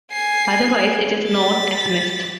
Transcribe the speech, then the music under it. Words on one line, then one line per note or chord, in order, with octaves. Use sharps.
Otherwise it is known as mist.
G#5 C7
A6 B6